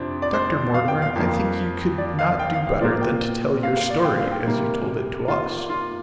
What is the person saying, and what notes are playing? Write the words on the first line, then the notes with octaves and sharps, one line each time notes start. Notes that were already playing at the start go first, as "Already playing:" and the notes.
"Dr. Mortimer, I think you could not do better than to tell your story as you told it to us."
Already playing: F2 C3 F3 C4 D4
D5
C5
F5
G5
F5
F2 F3 A#3
D5
F5
G5
F5
F5
A#2 F3 A#3 D5
G5
F5
F5
D5
G5
F5
G5
C3 G3 A#3
F4
F4